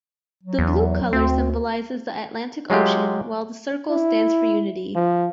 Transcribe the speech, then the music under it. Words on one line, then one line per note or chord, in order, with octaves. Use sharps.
The blue colour symbolizes the Atlantic Ocean, while the circle stands for unity.
F#3
E2
D2 C4
F#3 G#3 F4 G4
E4
F3